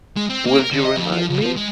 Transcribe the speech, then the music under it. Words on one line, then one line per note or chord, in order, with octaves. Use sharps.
Will you remind me?
G#3
C4
A#3
A#4
D3
D#5
F2
F3
C#2
F3
G#3